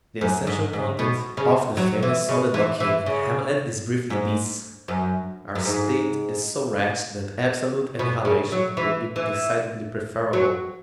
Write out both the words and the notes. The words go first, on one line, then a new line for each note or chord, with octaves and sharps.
The essential content of the famous soliloquy in "Hamlet" is briefly this: Our state is so wretched that absolute annihilation would be decidedly preferable.
F#2
G#2
G#2
B2
C#3
F#3
E3
C#3
E3
E3
C#3
G#2
F#2
F#2
G#2
B2
C#3
F#3
E3
E3
F#3